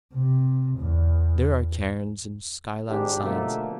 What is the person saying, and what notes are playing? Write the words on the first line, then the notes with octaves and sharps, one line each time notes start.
There are cairns and skyline signs.
C3
E2
G#1 G#2 G3 D4 G4
B2 D3 F3 A3 A#3